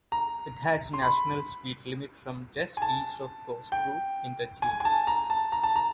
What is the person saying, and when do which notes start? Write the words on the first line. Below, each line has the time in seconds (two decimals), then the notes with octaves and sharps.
It has National Speed Limit from just east of Goresbrook Interchange.
0.12 A#5
0.93 C6
1.02 B5
2.77 G#5
2.82 A5
3.72 G5
4.62 G#5
4.80 G#5
4.85 A5
5.07 A#5
5.30 A5
5.52 A#5
5.63 A5
5.76 A#5